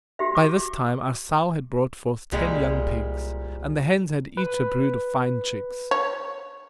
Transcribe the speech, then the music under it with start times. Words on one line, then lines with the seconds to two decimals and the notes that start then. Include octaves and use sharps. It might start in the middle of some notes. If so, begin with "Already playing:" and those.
By this time our sow had brought forth ten young pigs, and the hens had each a brood of fine chicks.
0.19 F#4 G4 E5
0.35 D6
2.32 C2 A#2 G3 G#3
4.37 B4
5.91 C#5